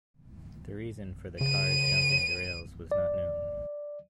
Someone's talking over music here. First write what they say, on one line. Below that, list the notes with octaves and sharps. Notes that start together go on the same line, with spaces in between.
The reason for the cars jumping the rails was not known.
C#3 D#7
D5